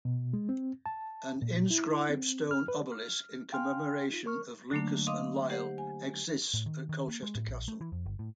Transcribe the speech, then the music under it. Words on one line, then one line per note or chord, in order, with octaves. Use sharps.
An inscribed stone obelisk in commemoration of Lucas and Lisle exists at Colchester Castle.
B2
G#3
C4
A5
A#2
E4
C4
F6
B4
F6
F5 G5 G#5 C6 F6
D#4 F4
A#4 C#6 F6
D3 F#3 A3 A#3 D4
D#5 F5 C6 D6 D#6
G4 C5 F#5
G#5
A2
D#3
D#3
A#3
G#3
A2
A#1
A3
E3
F2
G1
A2